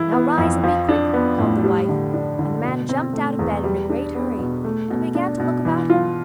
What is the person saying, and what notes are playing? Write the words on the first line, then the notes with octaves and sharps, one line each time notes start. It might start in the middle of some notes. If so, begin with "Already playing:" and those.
'Now rise, and be quick,' called the wife, and the man jumped out of bed in a great hurry, and began to look about him.
Already playing: E3 E4
B3
F2
F3
D4
B3
A2
G3
D3
D4
D3
B2
C4
A3
E2
G3
D4
B3
B2
A3
B2
D4
B2
E3
F4